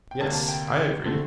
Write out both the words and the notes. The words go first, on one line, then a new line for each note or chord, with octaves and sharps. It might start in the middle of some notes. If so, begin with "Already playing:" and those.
Yes, I agree.
G5
D2 C3 G3 A#3 A5
A5
G5
D3 A3 C4